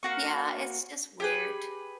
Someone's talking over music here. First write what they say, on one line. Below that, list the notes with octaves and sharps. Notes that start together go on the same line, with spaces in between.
Yeah, it's just weird,
A#3 F#4 C#6
G4 G#4 B4